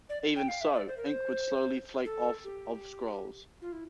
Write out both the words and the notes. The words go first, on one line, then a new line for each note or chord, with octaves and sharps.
Even so, ink would slowly flake off of scrolls.
D5
G5
F5
E5
D5
C5
A#4
C5
A4
G4
F4
E4